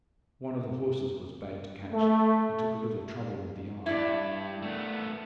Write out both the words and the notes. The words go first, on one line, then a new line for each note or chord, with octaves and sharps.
One of the horses was bad to catch, and took a little trouble in the yard.
A3
G2 E4 D5
A3 B3